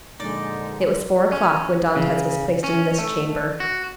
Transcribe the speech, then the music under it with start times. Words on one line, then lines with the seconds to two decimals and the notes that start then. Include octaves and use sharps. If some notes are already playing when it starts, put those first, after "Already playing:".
It was four o'clock when Dantes was placed in this chamber.
0.20 A#1 D3 G#3 D#4 D5
1.32 C#4
1.96 C#3
2.64 C#4
2.98 A3
3.60 F#4